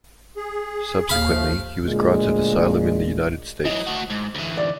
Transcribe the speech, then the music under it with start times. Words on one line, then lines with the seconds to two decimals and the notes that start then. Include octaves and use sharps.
Subsequently he was granted asylum in the United States.
0.37 G#4
1.09 D#2 F5 B5
1.29 F3 A3
1.84 D2 A#2 G#3
3.65 E3 F#3 D#5
3.87 A3 F#4
4.10 G#2
4.35 D2 E3
4.57 D5